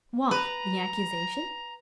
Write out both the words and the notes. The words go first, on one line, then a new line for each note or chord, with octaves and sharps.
"What? the accusation?"
B4 A#5